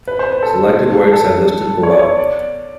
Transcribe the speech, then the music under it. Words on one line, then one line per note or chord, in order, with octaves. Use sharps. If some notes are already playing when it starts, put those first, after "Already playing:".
Selected works are listed below.
B4
C5
B4
A4
A4
C#5
D5
C#5
D5